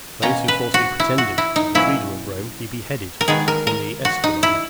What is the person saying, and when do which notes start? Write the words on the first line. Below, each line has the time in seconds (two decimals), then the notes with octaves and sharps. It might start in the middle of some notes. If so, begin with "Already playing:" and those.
Those who falsely pretended to the freedom of Rome, he beheaded on the Esquiline.
0.22 B2 A#3 C#4 A#5
0.48 B4
0.74 F#4
1.00 E4
1.18 F#4
1.38 E4
1.56 D#4
1.75 B2 F#3 A#3 C#4 E4
3.21 A#4
3.28 D#3 G#3 B3 G#4
3.48 A#4
3.67 A#4
4.05 F#4
4.24 D#4
4.43 E4